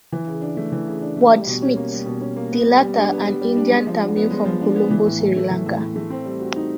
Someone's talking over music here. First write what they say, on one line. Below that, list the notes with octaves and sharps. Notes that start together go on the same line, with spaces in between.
Wordsmith, the latter an Indian Tamil from Colombo, Sri Lanka.
E3
C#3
D4
A3
E3
C#3
D4
A3
G3
B2
C#4
A#3
G3
B2
C#4
A#3
B3
G3
G3
D4
B3
G3
G3
D4
G#3
F3
D4
B3
G#3
F3
D4
B3
E3
A2
A2
A3
E3
A2
A2
A3
C4
G3
F#4
D#4